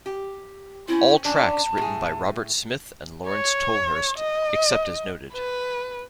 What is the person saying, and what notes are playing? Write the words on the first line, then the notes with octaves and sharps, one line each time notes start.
All tracks written by Robert Smith and Laurence Tolhurst except as noted.
G4
C4 C#4 E4
C#4 D4 A5
A2 G#4
C#5
D#5
B4